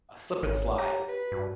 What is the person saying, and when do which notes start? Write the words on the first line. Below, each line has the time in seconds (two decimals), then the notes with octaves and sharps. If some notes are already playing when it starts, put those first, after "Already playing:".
a Slip 'N Slide
0.43 G#1 C#5
0.78 G4 A#5
1.08 B4
1.32 G2 F#4